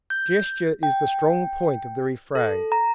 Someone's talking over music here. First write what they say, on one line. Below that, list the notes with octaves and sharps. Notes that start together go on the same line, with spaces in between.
Gesture is the strong point of the refrain.
G6
G5
A4
A#5